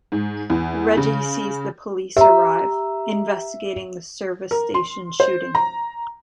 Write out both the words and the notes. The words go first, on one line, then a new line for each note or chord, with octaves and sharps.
Reggie sees the police arrive, investigating the service station shooting.
G#2
E2
C#3
G4 E5 A#5
A#4
C6
C5
A#5